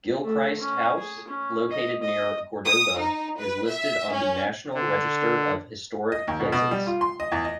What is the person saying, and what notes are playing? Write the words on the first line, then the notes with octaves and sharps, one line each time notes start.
Gilchrist House, located near Cordova, is listed on the National Register of Historic Places.
A3
C#4
G#4
C#4
D#5
D#5
D#6
D#4
B4
E5
C#4
D3
D#5
D#2
B2
B2
G3
F4
C6
D#5
E2
D#5